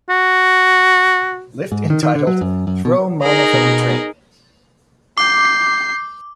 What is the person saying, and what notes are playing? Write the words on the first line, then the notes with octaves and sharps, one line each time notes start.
Lift entitled "Throw Momma from the Train".
F#4
G#2
D#3
D#3
D3
F#3
F#2
F#2
B2
D#4 G#4 A#4
B2
D6 G6 C7